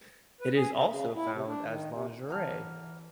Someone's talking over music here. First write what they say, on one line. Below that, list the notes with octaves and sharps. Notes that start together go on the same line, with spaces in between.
It is also found as lingerie.
B4
G#4
C4
C#3
E4
C3
D4
D#3
C3
E3 G#4 A4 F#5 A#5 F6